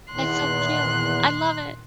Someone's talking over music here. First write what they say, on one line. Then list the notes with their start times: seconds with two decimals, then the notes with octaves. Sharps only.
that's so cute. I love it.
0.13 E2 A#2 D#3 C6 F#6